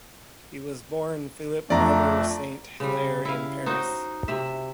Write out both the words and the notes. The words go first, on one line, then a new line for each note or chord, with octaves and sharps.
He was born Philippe Barbier Saint-Hilaire in Paris.
F2 A3 D4 D5 A#5
C#3 G3
E4 F5
D#4 F#4 C5
C3 E5